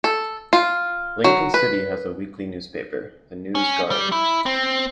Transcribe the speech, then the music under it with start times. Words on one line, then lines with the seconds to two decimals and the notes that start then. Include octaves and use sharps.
Lincoln City has a weekly newspaper, "The News Guard".
0.04 A4
0.53 F4
1.24 F#3
1.54 B4
3.55 C#4
3.91 G3
4.12 E4
4.46 C4